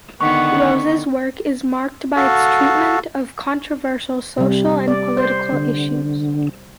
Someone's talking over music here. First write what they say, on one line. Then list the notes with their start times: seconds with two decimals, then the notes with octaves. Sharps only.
Rose's work is marked by its treatment of controversial social and political issues.
0.21 D3 D#3 B3 F#5 C#6 B6 C#7
2.16 F#4 A4 F5
4.38 C3 G3
4.88 D5
5.17 C5
5.52 D3